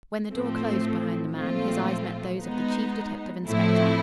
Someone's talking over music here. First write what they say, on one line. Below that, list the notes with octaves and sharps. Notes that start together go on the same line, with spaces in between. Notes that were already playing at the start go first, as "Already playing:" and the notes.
When the door closed behind the man, his eyes met those of the chief detective-inspector.
A2 F3 A3 C4
A#2 F3 A3 C4 F4
G#3 B3 D#4
A2 F3 A3 C4 E4